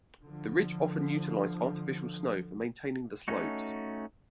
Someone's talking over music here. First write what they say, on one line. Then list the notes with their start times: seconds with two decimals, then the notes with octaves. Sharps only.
The Ridge often utilize artificial snow for maintaining the slopes.
0.24 D3 F3
3.28 A3 C#4 D#4 F#4